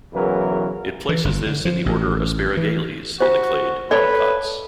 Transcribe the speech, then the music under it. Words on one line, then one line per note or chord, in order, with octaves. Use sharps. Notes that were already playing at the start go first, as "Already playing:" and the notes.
It places this in the order Asparagales, in the clade monocots.
B1 E2 C#3 E3 F#3 A#4
E3
G1
D3
F3
A1
E3
F4 F#4 C5
A4 B4 C#5 D5 G5